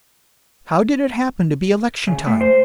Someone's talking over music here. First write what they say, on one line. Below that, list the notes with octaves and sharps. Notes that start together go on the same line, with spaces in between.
How did it happen to be election time?
C#3
A2
C5